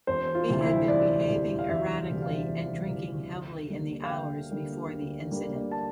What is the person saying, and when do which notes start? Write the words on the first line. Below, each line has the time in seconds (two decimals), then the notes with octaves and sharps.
He had been behaving erratically and drinking heavily in the hours before the incident.
0.07 E1 C5
0.35 F4
0.48 D2 C3 E3 G3
0.61 E4
0.88 E1 D5
1.28 D2 C3 E3 G3
1.59 F5
1.69 E1 E5
2.09 D2 C3 E3 G3
2.22 F5
2.49 E1
2.89 D2 C3 E3 G3
3.30 D2
3.70 D3 G3 A#3
4.04 F5
4.10 D2 G5
4.50 D3 G3 A#3
4.91 D2
5.31 D3 G3 A#3
5.72 A5